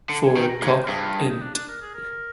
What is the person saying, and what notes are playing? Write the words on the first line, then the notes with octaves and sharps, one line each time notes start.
For Koch int.
D3
G#5
D#3 G5
A#5
G#2 G#5
G5
A#4
G2 G#4
F4
G#4
D#4
D4
D4
A#4
G#4
A#4